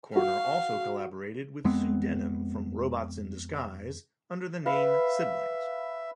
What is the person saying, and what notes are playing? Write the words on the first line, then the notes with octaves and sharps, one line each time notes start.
Corner also collaborated with Sue Denim from Robots in Disguise, under the name "Siblings".
F#4 F5
F2 G#3 B3 C4
B4 E5 F5